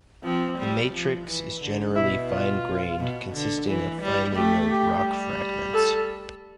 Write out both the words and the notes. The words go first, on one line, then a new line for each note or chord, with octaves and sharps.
The matrix is generally fine-grained, consisting of finely milled rock fragments.
F3 C4
G3
F3
E3
D3
B2 E4
F4
B2
D3
E3
G3
A3 G4
G4
G3
A4